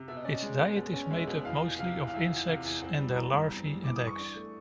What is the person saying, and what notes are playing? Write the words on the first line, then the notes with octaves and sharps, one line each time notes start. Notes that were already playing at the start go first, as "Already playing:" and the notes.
Its diet is made up mostly of insects and their larvae and eggs.
Already playing: C3
B2 E5
D#5
C#4 D5
D#5
G#3
B2
B2
C#4
G#3 E5
B2
E2 F5
F3
C3 F5
E2
F5
E2 E5
F3
F#5
C3 F5
E2
C4 F#5
G3
E3 A#5
G2
C4
G3
E3 D6
D#6
G2
C#6
D4
A3